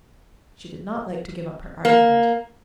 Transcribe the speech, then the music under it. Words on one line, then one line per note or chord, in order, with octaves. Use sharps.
She did not like to give up her argument.
A#3